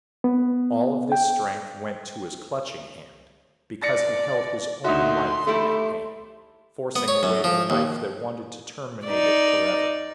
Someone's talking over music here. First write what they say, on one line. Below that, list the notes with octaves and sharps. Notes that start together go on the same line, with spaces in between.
All of this strength went to his clutching hand, because he held his own life in that hand, forcing away the knife that wanted to terminate it forever.
B3
G5
D5 A6 A#6 C#7
D2 D#4 F#4 E5 C6
A3 D#4 E4 G4
B3
C#5
F#2
F3
D#2
D#4 D5